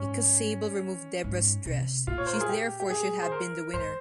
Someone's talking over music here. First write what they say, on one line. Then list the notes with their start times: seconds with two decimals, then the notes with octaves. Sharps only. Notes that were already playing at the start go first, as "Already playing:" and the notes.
Because Sable removed Debra's dress, she therefore should have been the winner.
Already playing: G#2 C#4
1.24 G#2
1.66 C3
2.07 A#2 F4
2.18 C#5
2.27 C5
2.33 A#4
2.41 G#4
2.49 G4
2.80 G4
2.90 G#4
3.22 C5
3.32 A#4
3.73 G#2 C5